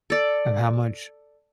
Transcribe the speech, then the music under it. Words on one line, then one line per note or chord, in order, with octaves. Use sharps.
of how much
A4 D5